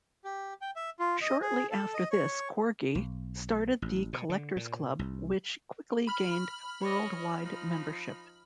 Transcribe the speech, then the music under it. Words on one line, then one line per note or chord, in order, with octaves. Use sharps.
Shortly after this Corgi started the "Collectors Club", which quickly gained worldwide membership.
G4
G5
E5
F4
D#5
G#4
A4
D#5
C#5
B1
A1
B2
D3
A#2
C2
B5 F6 F#7
C#5 D#5
F3 D#4